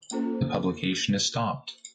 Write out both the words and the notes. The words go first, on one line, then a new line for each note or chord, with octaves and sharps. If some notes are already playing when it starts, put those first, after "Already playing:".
The publication is stopped.
A#3 C#4 F4 A4 C5